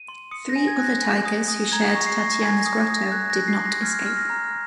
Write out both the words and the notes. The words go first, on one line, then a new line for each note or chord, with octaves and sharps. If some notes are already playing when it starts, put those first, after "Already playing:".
Three other tigers who shared Tatiana's grotto did not escape.
Already playing: D#7
C6
D#6 C#7
A#6
G#5
G#6
F#6
A#6
G#5
D#6
D#6
A#5 G#6
A#6
C#6
C7
C#6
A#6
G#5 G#6
A#6
D#6
G#6
D#6
A#6
F#6 G#6
A#6
F#6
C7
C6
A#6
F6 G#6
F6
A#6
A#5